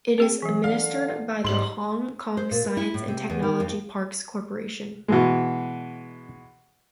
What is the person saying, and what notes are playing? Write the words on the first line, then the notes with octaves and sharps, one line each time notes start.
It is administered by the Hong Kong Science and Technology Parks Corporation.
C4 G#4 G5
E3 F#3 G#4
D3 F5
G#2 G3 G#3 C6 F#7
C5
A#2
B4
E4
A2
C3
E2
D#3
F2
B2 E3 G#3